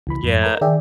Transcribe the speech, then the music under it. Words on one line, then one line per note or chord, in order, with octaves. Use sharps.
Mm yeah.
C#2 E3 B5
F2 G#2
A#4 A#5
D#3 G#4 D5 E5 G5